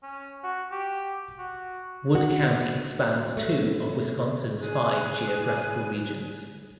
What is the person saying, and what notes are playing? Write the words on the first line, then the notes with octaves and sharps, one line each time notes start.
Wood County spans two of Wisconsin's five geographical regions.
C#4
F#4
G4
F#4
F#4
A3
G#4 F#6